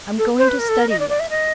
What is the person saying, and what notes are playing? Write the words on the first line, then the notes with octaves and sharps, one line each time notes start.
I'm going to study it.
A4
C5
B4
A#4
A4
A#4
D#5
D5
D5
E5
D#5